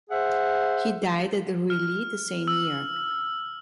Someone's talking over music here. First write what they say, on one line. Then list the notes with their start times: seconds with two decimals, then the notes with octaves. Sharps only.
He died at Reuilly the same year.
0.10 G#4 C5 E5 F#5
1.70 F6
2.48 E6